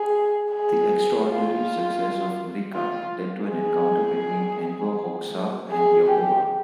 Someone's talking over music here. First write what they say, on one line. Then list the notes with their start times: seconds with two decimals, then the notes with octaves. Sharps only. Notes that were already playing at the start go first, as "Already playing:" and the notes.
The extraordinary success of "Mrika" led to an encounter between Enver Hoxha and Jakova.
Already playing: G#4
0.51 G#4
1.26 F4
2.74 F4
3.49 G#4
5.71 G#4
6.07 G4